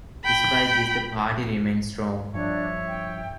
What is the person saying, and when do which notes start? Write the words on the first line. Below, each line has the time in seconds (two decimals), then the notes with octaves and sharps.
Despite this, the party remained strong.
0.25 G5 B5
2.34 G2 F3 D4 C#5 E5
2.88 G5